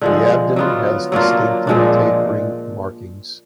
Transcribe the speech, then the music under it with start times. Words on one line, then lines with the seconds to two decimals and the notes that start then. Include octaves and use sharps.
The abdomen has distinctive tapering markings.
0.01 D3 F3 G#3
0.56 F#3 B3 F4
1.12 F#3 A#3 D4 F4
1.67 A#2 F3 G#3 D4